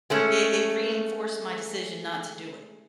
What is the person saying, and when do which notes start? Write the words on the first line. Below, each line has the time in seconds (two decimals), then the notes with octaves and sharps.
it it reinforced my decision not to do it.
0.10 G#3 A3 C#4